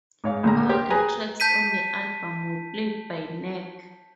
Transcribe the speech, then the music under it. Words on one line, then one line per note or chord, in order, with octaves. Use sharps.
All the tracks on the album were played by Nek.
G#2 C#5 F5
A#1 A#2 D3 A#5
G4 A#4 C5 G5
G#4 B4 G#5 A#5
A5 G6 B6 D#7